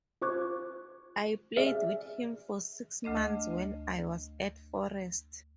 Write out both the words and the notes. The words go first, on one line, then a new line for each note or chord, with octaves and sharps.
I played with him for six months when I was at Forest.
F4 C5 C#6 D6 F#6 G#6
G#4 D5 E5 F6
D2 A3 D4 D#5